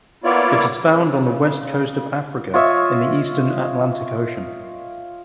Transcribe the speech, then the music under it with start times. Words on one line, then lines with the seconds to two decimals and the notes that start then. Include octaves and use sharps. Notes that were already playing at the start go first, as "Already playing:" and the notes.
It is found on the west coast of Africa in the eastern Atlantic Ocean.
0.24 A#3 B3 E4 F4 C#5 D5
0.83 C#3
2.54 F4 C#5 D#5 E5